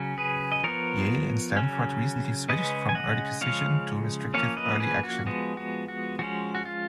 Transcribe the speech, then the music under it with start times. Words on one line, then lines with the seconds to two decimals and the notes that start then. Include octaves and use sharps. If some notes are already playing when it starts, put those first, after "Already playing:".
Yale and Stanford recently switched from early decision to restrictive early action.
Already playing: C#3 F#3 C#4
0.18 G#4 B4
0.52 D#5
0.64 F3 B3 A#4 C#5
1.57 C#3 F#3 C#4
2.49 C#3 G#3 C#4 B4 D#5
2.89 G#5
2.95 D#5 F#5
3.41 C#3 F3 G#3 C#4 C#5 F5
4.34 F3 A#3 C#4 C#5 F5
4.57 B4 D#5
4.80 G#4 B4
5.03 F#4
5.26 F3 G#3 B3 F#4
5.57 F#4
5.88 F#4
6.19 F3 G#3 C#4 F#4
6.55 F#4
6.65 F4